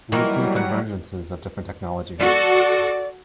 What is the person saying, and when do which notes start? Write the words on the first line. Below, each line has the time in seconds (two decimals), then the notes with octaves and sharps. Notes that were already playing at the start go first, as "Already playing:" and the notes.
We see convergences of different technologies.
0.12 D#3 E3 F#3 G3 A#3 F#4 A#4
0.56 F#5
2.19 F#4 A4 D5